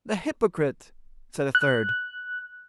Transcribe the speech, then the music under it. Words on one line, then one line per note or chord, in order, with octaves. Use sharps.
"The hypocrite!" said a third.
F#6